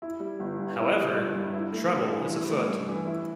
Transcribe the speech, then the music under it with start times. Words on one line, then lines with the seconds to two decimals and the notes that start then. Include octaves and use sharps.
However, trouble is afoot.
0.02 E4
0.20 G3
0.40 G1
0.59 G2
0.77 E4
0.97 G3
1.16 G1
1.35 G2
1.54 E4
1.73 A3
1.93 G2
2.12 E3
2.31 E4
2.50 A3
2.68 G2
2.88 E3
3.07 E4